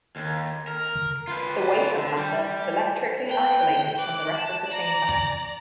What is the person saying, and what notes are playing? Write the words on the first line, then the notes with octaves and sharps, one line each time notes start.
The wafer platter is electrically isolated from the rest of the chamber.
D#2
A#4
F4 B4
D3
G3
B4 G5
D6 F#6
A5
D5 A#5